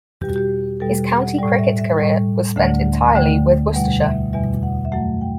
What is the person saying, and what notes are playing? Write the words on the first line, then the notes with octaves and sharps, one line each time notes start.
His county cricket career was spent entirely with Worcestershire.
E2 B2 G3 G4
F#4
G4
E2 B2 G3 A4
F#5
A2 G3 D5
E5
E5
A2 G3
D2 D3 A3 F#5
D2 D3 A3 G5
E2 B2 G3 F#5
E5
E2 B2 G3 E5
F#5
E5
F#2 F#3 A3 F#5
G5